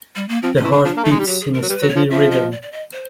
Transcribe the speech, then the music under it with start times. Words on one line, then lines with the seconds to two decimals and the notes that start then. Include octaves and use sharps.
The heart beats in a steady rhythm.
0.16 G3
0.29 A#3
0.42 F3 C4
0.57 C#4
0.64 E3
0.71 D4
0.85 F3 D4
0.96 A#3
1.04 A3 D#4
1.11 G#3
1.19 G3
1.27 F#3 G4
1.41 G#4
1.54 A#4
1.62 F#3
1.69 G3 B4
1.82 F#3
1.88 C#5
1.96 F3
2.10 F3 E5
2.31 D#5
2.52 D5
2.62 D5
2.72 D#5
2.93 C5